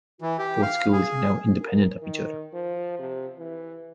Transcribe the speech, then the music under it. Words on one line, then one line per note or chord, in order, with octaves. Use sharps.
Both schools are now independent of each other.
E3
G4
F5
G#4
A#4
D#3
F3
C3
E3